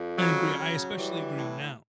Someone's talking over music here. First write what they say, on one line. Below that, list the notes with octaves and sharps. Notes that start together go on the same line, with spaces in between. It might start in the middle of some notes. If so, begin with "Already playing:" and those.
I agree. I especially agree now.
Already playing: F2
C#3 F#3
F#3
E3 G3
A2